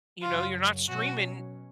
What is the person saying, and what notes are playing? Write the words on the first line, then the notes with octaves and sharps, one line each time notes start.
you know, you're not streaming
F#2 C#3 F#3 F4
B2 F#3 C#4 F#4